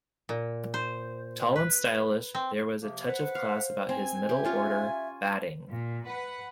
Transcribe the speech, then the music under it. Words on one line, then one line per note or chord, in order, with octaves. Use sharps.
Tall and stylish, there was a touch of class about his middle-order batting.
A#2
C5
B4
C4
C3 F3 A#3
B4 C5 F#5
F5
C4 G#5
G4 E5
C#4 F4 C#5
A#2
B4 F#5